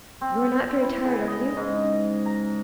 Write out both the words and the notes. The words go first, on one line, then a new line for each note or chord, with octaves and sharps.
You are not very tired, are you?
C4
E4
C#3
D#5
G#2
A#5